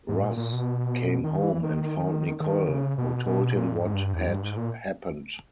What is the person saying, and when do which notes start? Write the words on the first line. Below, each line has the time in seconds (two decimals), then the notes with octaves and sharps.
Russ came home and found Nicole, who told him what had happened.
0.09 G#2
0.22 A#2
0.37 A#2
0.53 B2
1.24 D#3
1.43 E3
1.63 D#3
2.40 D#3
2.68 C#3
2.98 B2
3.27 B2
3.56 A#2
3.74 G#2
3.94 G2
4.14 E2
4.28 G2
4.43 G#2
4.57 A#2